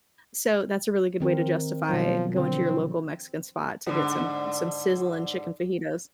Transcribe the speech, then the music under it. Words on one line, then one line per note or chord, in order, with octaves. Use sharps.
So, that's a really good way to justify going to your local Mexican spot to get some some sizzling chicken fajitas.
D#3 C4 A#4
B2 F3 F#3
D3 F3 C4
G#2 D3